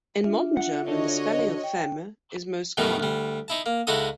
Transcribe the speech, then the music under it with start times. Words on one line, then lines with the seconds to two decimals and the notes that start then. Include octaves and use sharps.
In Modern German, the spelling of "Feme" is most common.
0.24 D4 F4 E5
0.57 F#5
0.88 D3 F#4 C#5 D#5
1.64 G5
2.77 F#2 B2 D#3 G3 A3 D#4
3.00 D2 G3
3.48 D#4 E4 A5
3.66 A#3
3.87 C#2 D#4 E4 F#4 A4 D#6